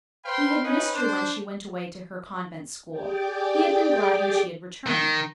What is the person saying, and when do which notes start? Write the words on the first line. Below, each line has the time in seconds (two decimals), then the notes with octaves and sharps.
He had missed her when she went away to her convent-school; he had been glad when she had returned.
0.25 B4 C5 F5 G5 B5 C6
0.63 C4 C#4 D#4 B4
0.94 D4 C5
2.90 G4 G#4 D5 G5 D6
4.86 D#3